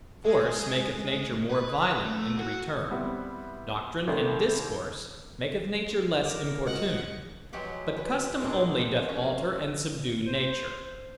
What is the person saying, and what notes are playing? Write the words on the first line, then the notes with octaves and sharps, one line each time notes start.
Force, maketh nature more violent in the return; doctrine and discourse, maketh nature less importune; but custom only doth alter and subdue nature.
G#3
B4
A3
F#4
G3 B3 C4 E4
C2 D#3 A3 D4 A4 C5
A#4 D6
G#3 F4 F#4 D#5 F#5
F3 F#3 G#3 G4 F#5
B4
A#2 G#3 B3 C4 D4 F#4
F3 C#4 F#4
C5